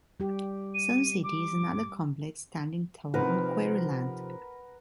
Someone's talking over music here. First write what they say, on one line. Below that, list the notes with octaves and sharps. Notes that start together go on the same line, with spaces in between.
Suncity is another complex standing tall on quarry land.
G3 G4
D#7
D6
C3 F3 D#4 A#4 B4 F#5